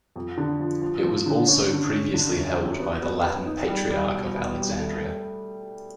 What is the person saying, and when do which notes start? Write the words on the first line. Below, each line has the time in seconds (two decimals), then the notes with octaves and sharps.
It was also previously held by the Latin Patriarch of Alexandria.
0.16 F2
0.38 D3
0.59 F3
0.82 F3
1.03 F3
1.26 D3
1.48 C#4
1.70 D3
1.92 C#4
2.14 D3
2.36 F#2
2.59 F#2
2.80 B3
3.02 B3
3.24 B3
3.46 D#4
3.68 G3
3.90 G3
4.13 B2
4.35 B3
4.57 G3
4.79 A3